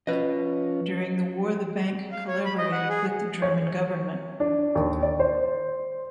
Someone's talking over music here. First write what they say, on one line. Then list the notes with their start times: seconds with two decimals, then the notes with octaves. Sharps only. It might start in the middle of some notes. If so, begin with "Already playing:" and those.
During the War the Bank collaborated with the German government.
0.07 F3 C#4 B4 D#5
2.12 F5
2.28 C#5
2.45 B5
2.58 D#5
2.72 F#5
2.89 G#4
3.42 C#5
4.40 D4
4.75 D#2
5.02 D5
5.20 C5